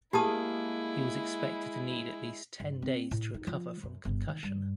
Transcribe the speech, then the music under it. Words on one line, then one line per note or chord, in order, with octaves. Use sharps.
He was expected to need at least ten days to recover from concussion.
G#3 A#3 E4 G4 G#4 A5 D#6
G2
C4
A2
D#4
F3
F#2
G1
D#3
G2